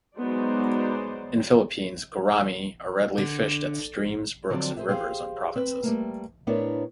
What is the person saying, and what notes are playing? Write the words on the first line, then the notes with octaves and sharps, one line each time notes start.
In Philippines, gouramis are readily fished at streams, brooks and rivers on provinces.
F#3 G#3 B3 D#4 C5 D5
D3
D3 F3 F#3 C4 D5
G#4 C5 E5
G4 G#4 C5 C#5 F5
C4 B4
G3 A3 A#3
A2 B3 D4 E4 A#4 C#5